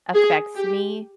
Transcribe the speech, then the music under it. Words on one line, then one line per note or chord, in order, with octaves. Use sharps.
affects me,
G#4
G4